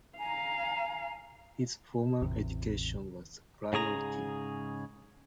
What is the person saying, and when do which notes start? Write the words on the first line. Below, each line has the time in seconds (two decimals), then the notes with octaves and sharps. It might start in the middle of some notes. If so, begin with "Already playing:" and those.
His formal education was the priority!
0.18 F5 G#5 A#5
2.21 A1 E2 C3
3.73 G#2 C#3 G#4 A#5